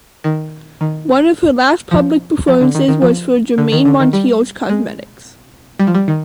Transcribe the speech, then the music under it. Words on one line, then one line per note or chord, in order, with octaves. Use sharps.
One of her last public performances was for Germaine Monteil's cosmetics.
D#3
D#3
F3
F3
D3
D#3
D#3
F3
D3
D#3
D3
D#3
G3
G#3
G3
F3
G3
D#3